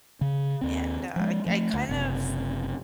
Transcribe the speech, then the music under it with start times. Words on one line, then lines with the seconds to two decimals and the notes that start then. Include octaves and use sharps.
and I I kind of
0.21 C#3
0.61 D#2 C4
1.16 F3 G#3
1.46 F3 G#3 A3
1.74 D2
1.89 F#1 C3